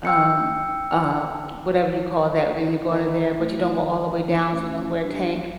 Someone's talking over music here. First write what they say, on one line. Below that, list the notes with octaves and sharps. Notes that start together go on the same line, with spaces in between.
um uh, whatever you call that when you go under there, but you don't go all the way down, so you don't wear a tank,
G5 E6 C#7
D#3
A2
D#3
A1
G2